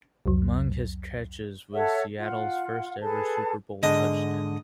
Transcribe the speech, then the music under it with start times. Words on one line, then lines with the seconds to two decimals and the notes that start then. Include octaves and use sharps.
Among his catches was Seattle's first-ever Super Bowl touchdown.
0.26 C2 F2 F#3
1.74 A4 C#5 E5 F#5
2.18 F4 F#5
3.01 G#4 A4 B4 A5
3.83 G#2 D3 D#5